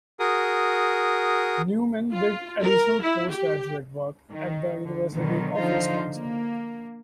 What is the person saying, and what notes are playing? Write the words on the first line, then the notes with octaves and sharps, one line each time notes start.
Neumann did additional post-graduate work at the University of Wisconsin.
F#4 G#4 A#4 D#6
F4
A#4
E4
G4
D#3
D3
B2 D3 D#3 F#3
D3 F3 D#4 F4 C5
A#3